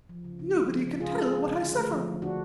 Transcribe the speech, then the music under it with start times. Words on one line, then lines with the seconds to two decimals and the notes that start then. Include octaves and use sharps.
Nobody can tell what I suffer!
0.09 F3
0.24 C#3
0.39 C#3
0.55 G#3
0.70 F3
0.84 C#3
1.00 C#3 F4 G#4
1.16 G#3
1.31 F3
1.46 C#3
1.61 D3
1.76 A3
1.92 F3
2.07 D3
2.22 D3 D4 F#4